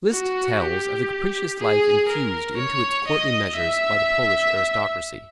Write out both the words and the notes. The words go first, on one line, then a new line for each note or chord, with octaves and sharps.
Liszt tells of the capricious life infused into its courtly measures by the Polish aristocracy.
F#4
G4
G#4
A#4
C#5
D#5
E5